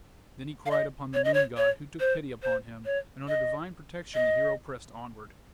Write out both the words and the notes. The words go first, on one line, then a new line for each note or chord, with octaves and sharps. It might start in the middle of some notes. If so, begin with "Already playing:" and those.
Then he cried upon the moon god, who took pity upon him, and under divine protection the hero pressed onward.
F5
D#5
C#5
D#5
C#5
C#5
C5
C5
C#5
D#5
D#5